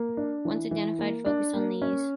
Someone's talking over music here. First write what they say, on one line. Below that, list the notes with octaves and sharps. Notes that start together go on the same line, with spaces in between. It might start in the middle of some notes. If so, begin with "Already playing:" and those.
Once identified focus on these.
Already playing: A#3
D4
E3
E3
A#3
D4
A#3
C#4